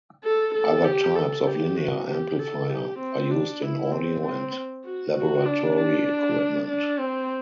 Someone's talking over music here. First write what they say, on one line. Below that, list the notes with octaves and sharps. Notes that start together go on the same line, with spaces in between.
Other types of linear amplifier are used in audio and laboratory equipment.
A4
A4
G4
A4
G4
F#4
G4
A4
G4
C4
D4
E4
C4
C4
F#4
F#4
D4
D4
D4
C4